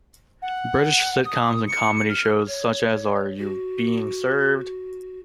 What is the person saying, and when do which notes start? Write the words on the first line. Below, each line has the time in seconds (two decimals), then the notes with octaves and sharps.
British sitcoms and comedy shows such as Are You Being Served?
0.42 F#5
1.25 D#6
1.68 C#7
2.09 F6
2.48 C#5
3.39 F#4